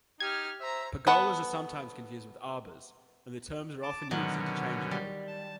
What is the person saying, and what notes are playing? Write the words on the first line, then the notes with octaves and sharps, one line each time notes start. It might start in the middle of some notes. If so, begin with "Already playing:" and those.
Pergolas are sometimes confused with arbours, and the terms are often used interchangeably.
D#4 G4 F6 G#6
C5 E5 A#5
B3 A4 B4 F#5
A5 D6
B2 D3 D#3 F#3 C#4
G3
A5